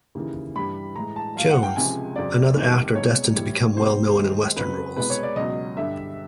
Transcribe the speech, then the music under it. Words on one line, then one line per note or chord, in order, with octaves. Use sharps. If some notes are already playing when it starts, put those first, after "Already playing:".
Jones, another actor destined to become well known in western roles.
D#2 C#3 E3
G2 E3 G3 B5
A2 E3 G#3 A#5
A5
A2 F#3 F5
F#5
G5
C#2 C3 F3 G#3 G#5
F2 C#3 F#3 D5
E2 C3 D#3 G3
C2 B2 G#3 C#5
A2 E3 G3
C2 B2 G3 C5
D#2 D#3 G#3
F2 C#3 F#3 B4
C2 B2 G#3 B4
C#5
D5
C#2 B2 F#3 D#5
G2 D3 G3 E5